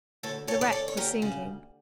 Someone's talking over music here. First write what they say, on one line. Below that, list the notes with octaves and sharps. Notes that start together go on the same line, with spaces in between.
The wreck was sinking.
D2 A4 C#5
D2 A4 C#5
D5
D2 A4 C#5
C#5
D2 G4 A#4
C#3